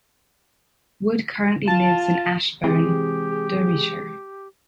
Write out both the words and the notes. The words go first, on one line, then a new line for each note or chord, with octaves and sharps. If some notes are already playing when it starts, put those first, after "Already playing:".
Wood currently lives in Ashbourne, Derbyshire.
F4 A5
C3 E3 G#3 C4 G4 G#4